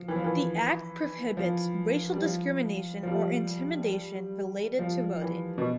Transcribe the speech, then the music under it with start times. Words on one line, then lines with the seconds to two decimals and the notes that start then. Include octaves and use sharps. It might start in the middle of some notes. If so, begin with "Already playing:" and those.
The Act prohibits racial discrimination or intimidation related to voting.
Already playing: F3
0.08 E3
0.16 F3
0.24 E3
1.37 F3
2.12 G3
2.23 F3
3.03 F3
3.08 G3
4.79 F3
5.22 E3
5.58 B2